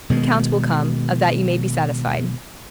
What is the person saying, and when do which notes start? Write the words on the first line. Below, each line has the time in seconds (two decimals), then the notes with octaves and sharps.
"The count will come, of that you may be satisfied."
0.10 B2 D#3 G#3